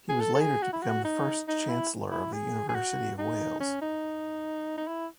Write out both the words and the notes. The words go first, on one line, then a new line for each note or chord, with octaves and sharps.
He was later to become the first Chancellor of the University of Wales.
G#4
A4
A4
G#4
F#4
E4
F#4
D#4
D#4
E4
E4
G#4
G#4
F#4
D#4
C#4
D#4
D#4
E4